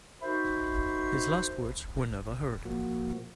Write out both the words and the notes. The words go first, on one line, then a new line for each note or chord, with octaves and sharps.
His last words were never heard.
D#4 F#4 A#4 C5 E5 B5
A#2 F3 A#3 F#4